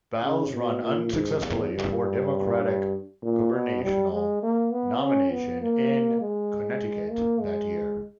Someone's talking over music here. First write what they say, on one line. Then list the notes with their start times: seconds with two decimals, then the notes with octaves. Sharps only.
Bowles ran unsuccessfully for the Democratic gubernatorial nomination in Connecticut that year.
0.23 C#3
0.53 B2
0.83 A#2
1.13 G#2
1.42 E2
1.73 G2
2.63 G2
3.22 A#2
3.52 B2
3.82 G3
4.12 G#3
4.43 A#3
4.71 B3
5.02 C#4
5.32 B3
5.62 A#3
6.21 G#3
7.12 A#3
7.41 G#3